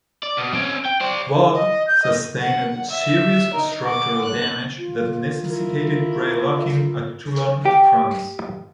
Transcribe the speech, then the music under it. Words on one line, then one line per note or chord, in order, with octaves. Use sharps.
"Voge" sustained serious structural damage that necessitated drydocking at Toulon, France.
D5
B2
C4 C#4
G5
C5 D5
D#5
G6
D#5
F#5
E5
D#4 A#4
F#5 D6
F#6
F4
E4 F4 A#4
G4